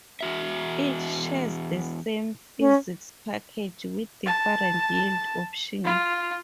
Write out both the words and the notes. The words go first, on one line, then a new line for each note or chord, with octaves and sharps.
Each shares the same "physics package", with different yield options.
E2 F#4 E5
C#4
A5
F4